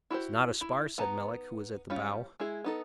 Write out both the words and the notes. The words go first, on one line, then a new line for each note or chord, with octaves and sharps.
"It's not a spar," said Melick, who was at the bow.
E4 F#4 G4 C5
E4
B3 D#4 A5 A#5
G3 C#4 F4
G#3 E4 G#4
B3 D#4 A4